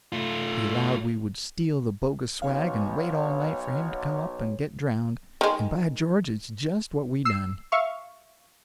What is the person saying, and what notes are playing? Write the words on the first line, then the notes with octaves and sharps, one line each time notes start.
He allowed we would steal the bogus swag and wait all night for him to come up and get drownded, and by George it's just what we done!
A3 F4
B1 C#5 F5
D#3 G#3
E6 C7
E5 F5 C#6